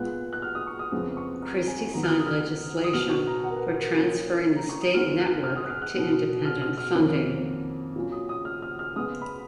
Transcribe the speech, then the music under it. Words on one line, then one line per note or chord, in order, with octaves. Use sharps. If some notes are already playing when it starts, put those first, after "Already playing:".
Christie signed legislation for transferring the state network to independent funding.
Already playing: A#2 G#3 B3 F#6
F#6
F6
D#6
C#6
D#6
F2 C#3 G#3 B3
C#6
A#5
G#5
F#2 D#3 F#3 B3 A#5
F6
D#6
D#6
F6
D#6
B2 F#3 B3 F6
C#6
A#5
F#5
A#4
B4
B4
A#4
C#3 F3 A#3 C#4
A#5
C#6
D#6
F#2 F3 G#3 B3 F6
F#6
F6
D#6
F#6
F6
F#6
B2 F#3 B3
F6
F6
F6
F2 D#3 A#3 C#4
A#2 F#3 C#4
D#6
D#6
F6
F6
F6
C#3 G#3 B3 D#6
B5